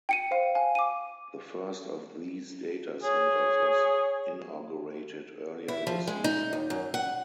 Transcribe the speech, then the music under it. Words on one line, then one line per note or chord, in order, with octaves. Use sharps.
The first of these data centres was inaugurated earlier this year.
G5 C#7 D#7
C5 F5
F5 G#5
D6 D#7
G#4 C#5
E4
F3
G#3
D#4
D#2
F#2
F#5